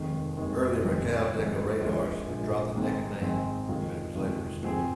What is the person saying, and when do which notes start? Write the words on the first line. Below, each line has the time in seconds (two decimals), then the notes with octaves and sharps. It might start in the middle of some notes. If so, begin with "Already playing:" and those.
Early Racal-Decca radars had dropped the Decca name, but it was later restored.
Already playing: F1 D#2 D#3 G#3
0.37 F1 D#2 D#3 G#3
0.84 F2 D#3 G#3
1.31 F2 D#3 G#3
1.79 A#1 A#2 G#3
2.26 A#1 A#2 G#3
2.74 G#1 G#2 G#3 C4 G#4
3.21 G#1 G#2 G#3 C4 G#4
3.68 F1 D#2 D#3 G#3 F4
4.15 F1 D#2 D#3 G#3 F4
4.63 G#2 F3 C4 G#4